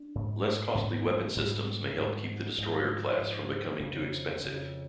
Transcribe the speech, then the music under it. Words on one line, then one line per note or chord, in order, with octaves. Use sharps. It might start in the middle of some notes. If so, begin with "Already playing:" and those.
Less costly weapon systems may help keep the destroyer class from becoming too expensive.
Already playing: D4
G#2
G#2 C#4
B3
A3
G#3
G#2 G3
G#2
G#2 F3
G#2
F2 C#3
F2 C#3